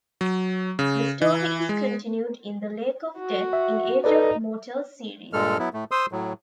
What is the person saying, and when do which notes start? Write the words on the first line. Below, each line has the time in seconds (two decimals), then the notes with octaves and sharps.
The story is continued in "The Lake of Death" in Age of Mortals series.
0.21 F#3
0.79 C#3
1.22 E3
1.69 G#3
3.18 F#4
3.53 E5
4.04 D#4 A4 B4 D5
5.33 G2 A#2 G#3 A4 F6
5.59 F#3 B3 E4
5.74 A2 A3
5.91 C5 C6 D#6 E6
6.12 A2 F#3